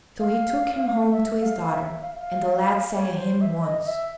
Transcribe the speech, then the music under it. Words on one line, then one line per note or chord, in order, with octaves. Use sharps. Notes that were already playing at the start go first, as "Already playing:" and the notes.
So he took him home to his daughter, and the lad sang a hymn once.
F5
E5
F5
E5
F5
F5
C#5
C5
E5
D#5
D#5
E5